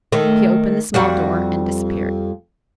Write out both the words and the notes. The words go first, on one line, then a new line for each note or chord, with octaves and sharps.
He opened a small door and disappeared.
D#3 A3
F2 G3 F#4